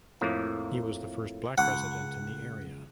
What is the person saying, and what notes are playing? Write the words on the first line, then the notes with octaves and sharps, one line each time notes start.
He was the first Black resident in the area.
F2 A2 A#3
C#2 F#5